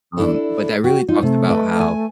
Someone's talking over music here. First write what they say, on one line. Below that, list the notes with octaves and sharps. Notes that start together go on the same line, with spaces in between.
Um, but that really talks about how,
D4 E4 A4
F#4 G5
D#4 F4
C3 A3
B4 D#5
G#5